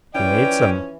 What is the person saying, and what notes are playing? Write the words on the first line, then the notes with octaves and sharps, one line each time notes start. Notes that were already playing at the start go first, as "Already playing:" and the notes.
He needs them.
E3 F3 C#4 D5 G5